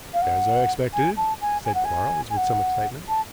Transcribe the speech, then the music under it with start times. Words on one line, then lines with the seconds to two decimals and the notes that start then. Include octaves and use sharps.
"As I expected," said Quarles, with some excitement.
0.14 F5
0.22 F#5
0.94 G#5
1.17 A5
1.41 G#5
1.65 G#5
1.75 F#5
1.85 G#5
2.30 G#5
2.37 F#5
3.09 A5